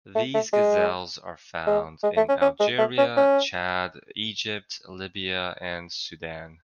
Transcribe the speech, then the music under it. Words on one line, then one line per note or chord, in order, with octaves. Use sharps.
These gazelles are found in Algeria, Chad, Egypt, Libya and Sudan.
A3
A3
G#3
G#3
G#3
A3
C#4
C#4
G#3
A3
C#4
C#4